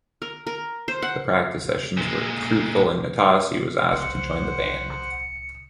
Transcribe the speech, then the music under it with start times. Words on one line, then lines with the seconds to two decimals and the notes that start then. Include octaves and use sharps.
The practice sessions were fruitful and Nastasi was asked to join the band.
0.22 A#4
0.47 A#4
0.88 C5
1.02 F#5
1.97 A#2 G#3
3.92 C2 C5 F#5 C#7